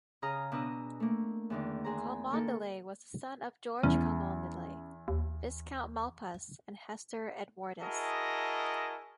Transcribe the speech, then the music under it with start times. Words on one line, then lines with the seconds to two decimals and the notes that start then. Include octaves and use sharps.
Cholmondeley was the son of George Cholmondeley, Viscount Malpas, and Hester Edwardes.
0.22 C#3 G#4 D#5 A#5 D#6 F6
0.52 B2 D4 B4 D#5 A#5 E6
1.00 A3 A#3
1.50 E2 D3 D#3
1.84 E2 G#4 C5 A#5
2.30 D3 A#3 A4
3.83 E2 C#4
5.08 D#2
7.82 E4 F#4 G#4 A#4 D#5 A5